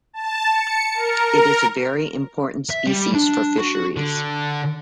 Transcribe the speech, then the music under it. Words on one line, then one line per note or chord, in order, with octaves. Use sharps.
It is a very important species for fisheries.
A5
C#7
A#4
A#4
E5
G3
D4
F#4
D3